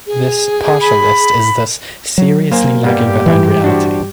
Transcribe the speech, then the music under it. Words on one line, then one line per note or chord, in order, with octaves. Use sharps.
This partial list is thus seriously lagging behind reality.
G#4
B5
F#3
A#3 C5 G#5
G2 G3 A#3 B3 G4
E3
D4 F#4 C5